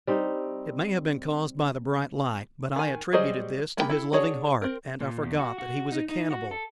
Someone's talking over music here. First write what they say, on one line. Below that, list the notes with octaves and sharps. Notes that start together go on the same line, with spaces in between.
It may have been caused by the bright light, but I attributed this to his loving heart, and I forgot that he was a cannibal.
G3 C4 D#4
D#3 G#5
F#3 G3 G#4 C5 D#5
G#3 A#3 C#4 G5 B5
E4 A4
D4 F#4 G#4 C#5
C4 A#4
A#2
E2
F#4
F#4
D#4
D#4
F#4
A4